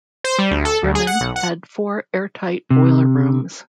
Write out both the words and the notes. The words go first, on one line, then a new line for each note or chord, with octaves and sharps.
"Bremen" had four airtight boiler rooms.
C5
G3
D2
A4
D2
G#4
F#5
B1
F#5
C3